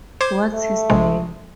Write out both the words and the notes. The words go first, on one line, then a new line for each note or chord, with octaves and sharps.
What's his name?
C5 D6 G#6
A3
A#1 C3 G#3